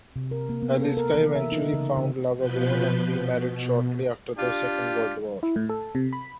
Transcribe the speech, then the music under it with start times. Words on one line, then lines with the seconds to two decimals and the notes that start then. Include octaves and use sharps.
Eliska eventually found love again and remarried shortly after the Second World War.
0.16 C3
0.31 A#4
0.49 A#3
0.62 B3
0.80 A4
0.97 A#4
1.14 E3
1.35 E5
1.52 D#4
1.73 C#3
1.97 C#3
2.36 B2 F3 B4 G6
3.12 B2
4.37 D4 F4 G4
5.43 E4
5.56 A2
5.69 A4
5.95 C3
6.13 B5